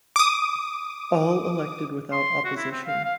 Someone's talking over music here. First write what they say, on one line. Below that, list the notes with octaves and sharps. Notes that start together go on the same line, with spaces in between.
All elected without opposition.
D6 D#6
C6
F#4
E4
C4
F5
F5